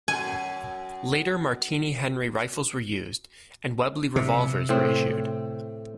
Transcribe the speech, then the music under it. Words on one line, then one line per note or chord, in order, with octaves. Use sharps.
Later Martini-Henry rifles were used, and Webley revolvers were issued.
F#2 G#5
C3
A2 C4